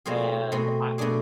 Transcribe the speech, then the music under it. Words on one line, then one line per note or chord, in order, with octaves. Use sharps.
And I
B2 A3 C4 G#4
B2 A3 C4 G#4
B2 A3 D4 G#4